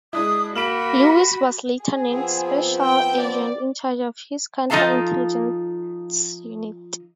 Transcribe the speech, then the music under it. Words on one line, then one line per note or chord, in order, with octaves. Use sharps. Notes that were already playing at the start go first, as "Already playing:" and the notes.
Lewis was later named special agent in charge of his counterintelligence unit.
G#3 D4 E4 D#6
A#3 F#4 B5 D7 E7 F#7
G#4
F3 B3 C4
G5
D5
F3 D#4 F4 A4 F5 A5